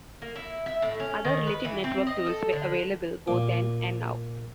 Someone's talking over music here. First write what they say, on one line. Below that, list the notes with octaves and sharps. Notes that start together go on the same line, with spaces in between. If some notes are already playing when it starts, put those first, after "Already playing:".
Other related network tools were available both then and now.
A#3
E4
E5
A2
C#4
D#3
B4
E3
C4
D#5
A4
D3
A#2 D6